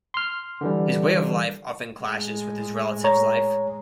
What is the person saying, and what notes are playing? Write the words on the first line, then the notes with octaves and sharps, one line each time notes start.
His way of life often clashes with his relatives' life.
C6 F6
D3 E3 G3
A2 G#3
C#5 A#5